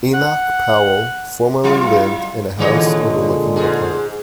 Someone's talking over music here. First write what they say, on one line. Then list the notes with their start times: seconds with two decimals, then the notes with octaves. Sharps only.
Enoch Powell formerly lived in a house overlooking the park.
0.14 F#5
1.64 F#3 E4 F4
2.59 A#2 D3 D#3 G#3 C#5 D#5
3.56 G#2 G#4